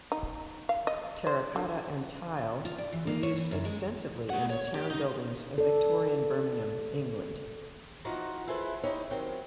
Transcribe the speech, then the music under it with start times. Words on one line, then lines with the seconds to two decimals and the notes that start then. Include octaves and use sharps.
Terracotta and tile were used extensively in the town buildings of Victorian Birmingham, England.
0.12 D#4
0.69 F5
0.87 D#5
1.27 C5
1.56 D3
2.65 F4
2.78 D5
2.92 E3
3.07 A#3
3.23 C#5
3.38 E3
3.51 F#2
3.65 G#3
4.30 A3 F#5
4.50 C#5
4.75 G4
4.90 D#4
5.58 A4 D5
8.05 E3 F3 D#4 F#4 F#5 A#5
8.47 E4 G#4 A4 B4 C5
8.83 D#4 E4 G4 C5 C#5 D#5
9.11 D#3 F#3 C4 G5